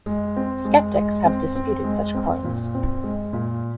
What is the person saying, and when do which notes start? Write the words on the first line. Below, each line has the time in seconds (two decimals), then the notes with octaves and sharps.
Skeptics have disputed such claims.
0.06 G#3
0.36 C4
0.65 G#3
0.96 G#3
1.25 C4
1.55 C4
1.84 G#3
2.14 C4
2.44 A#2
2.74 C4
3.04 G#3
3.33 A#2